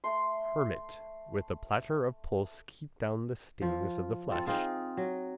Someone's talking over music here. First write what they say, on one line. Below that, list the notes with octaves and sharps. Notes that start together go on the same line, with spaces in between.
Hermit with a platter of pulse keep down the stings of the flesh.
A3 C6
F3 F4
C4 F4 A4
C4 D#4 F4 G#4
F#3